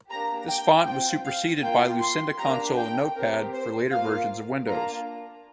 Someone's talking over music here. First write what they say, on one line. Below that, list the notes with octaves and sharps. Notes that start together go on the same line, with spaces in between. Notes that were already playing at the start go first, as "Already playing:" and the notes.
This font was superseded by Lucida Console in Notepad for later versions of Windows.
A#3 D4 G4 A#5
G5
C4 F4 G5
F5
A#3 F4 G5
C6
A#3 D4 G4 A#5
G5
C4 G4 A#4
C5
A#3 F4 F5
A#3 D4 F4 A#5